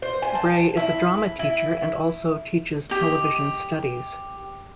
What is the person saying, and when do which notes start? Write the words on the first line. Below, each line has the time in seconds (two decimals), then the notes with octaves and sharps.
Bray is a drama teacher and also teaches television studies.
0.02 C5
0.22 G#5
0.35 A5
0.77 E4
1.39 E4
2.90 G4 D#5